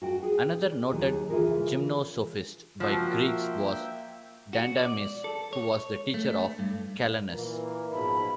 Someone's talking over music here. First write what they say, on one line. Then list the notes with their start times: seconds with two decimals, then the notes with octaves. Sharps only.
Another noted gymnosophist by Greeks was Dandamis, who was the teacher of Calanus.
0.02 F#4 F#5 G5
0.23 G#4
0.91 D#2 D#3 F#3 G4 G#4
1.29 C#3 E3 F4 G#4 A#4 B4
2.80 F3 A#3 F#4 E5 G5
4.53 F#4
4.77 D5
5.24 A4
5.53 C#5
6.14 A3
6.59 G2
7.31 A#2 E3 A#3
7.92 G#2 B2 F3 B5